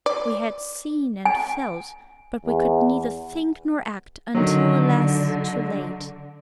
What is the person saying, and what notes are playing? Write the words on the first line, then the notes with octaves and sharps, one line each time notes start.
We had seen and felt, but we could neither think nor act, until, alas! too late.
D5
G#5
E2
D3 D#3 F#3